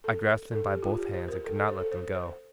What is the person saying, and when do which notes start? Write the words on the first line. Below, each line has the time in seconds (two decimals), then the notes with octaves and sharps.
I grasped him by both hands, and could not let them go.
0.04 A4
0.51 A4
0.67 G4
0.83 F4
0.98 G4
1.14 C5
1.28 A#4
1.44 A4
1.56 A4
1.68 C5
1.80 A4
1.92 C5
2.15 C5